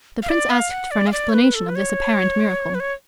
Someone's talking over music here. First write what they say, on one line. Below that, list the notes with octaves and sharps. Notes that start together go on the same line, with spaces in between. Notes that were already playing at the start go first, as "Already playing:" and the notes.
The Prince asked for an explanation of this apparent miracle.
F5
D5
F5
F#5
D5
F5
D5
C#5
B4
A4
B4
C#5
B4
C#5